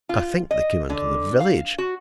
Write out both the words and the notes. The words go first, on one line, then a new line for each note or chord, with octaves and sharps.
I think they came into the village.
F4
D#5
D3
F5
F#4